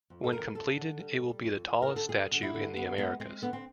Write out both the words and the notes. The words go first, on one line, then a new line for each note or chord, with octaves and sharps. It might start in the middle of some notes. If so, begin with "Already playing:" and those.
When completed, it will be the tallest statue in the Americas.
F2
A4
F2 A#4
G3 A4
D3
G3
G3
F2
F2
A#4
D3
A4
G3 G#4
D3
E4
D3
D3 B3
G#3 B3
G#3 C4
D3 B3
C4